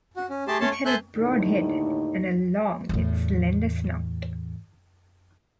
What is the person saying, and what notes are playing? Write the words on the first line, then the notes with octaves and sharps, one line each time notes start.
It had a broad head, and a long yet slender snout.
F#4
C#4
A3 G4 G#4 A5 C6
A3 C#4 C#5 A5 C6
C#6
A4 C5 E5 G#5 F#6 G6
D#2 A2 D3 D#3 D#4
E2 A2